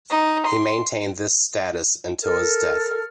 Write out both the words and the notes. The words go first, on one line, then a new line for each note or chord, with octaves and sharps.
He maintained this status until his death.
D#4
C6
A4 A#4 F6